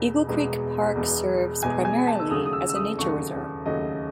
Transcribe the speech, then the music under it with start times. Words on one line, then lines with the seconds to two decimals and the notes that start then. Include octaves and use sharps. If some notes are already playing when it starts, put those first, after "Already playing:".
Eagle Creek Park serves primarily as a nature reserve.
Already playing: E1 E2 B2 G#3
0.27 E1 E2 B2 G#3
0.95 E1 E2 B2 G#3
1.62 E1 E2 B2 G#3 G#5
1.85 G#5
2.07 A5
2.20 E6
2.30 D#2 C#3 F#3 A3 D#6
2.46 D#6
2.53 E6
2.69 E6
2.75 D#6
2.98 D#2 C#3 F#3 A3 C#6
3.66 D#2 C#3 F#3 A3 D#5